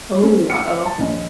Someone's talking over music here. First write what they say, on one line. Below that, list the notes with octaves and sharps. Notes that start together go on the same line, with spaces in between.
Oh, uh-oh.
C4 C#4
F#5 G5 F6 C#7
A5
A#1 D#2 C#4 D#5